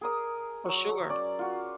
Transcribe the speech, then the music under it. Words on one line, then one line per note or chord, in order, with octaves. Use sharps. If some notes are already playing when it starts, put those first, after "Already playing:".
For sure.
G#4 A#4 D#6
F#3 C#6
C#4 D5
F4 F#4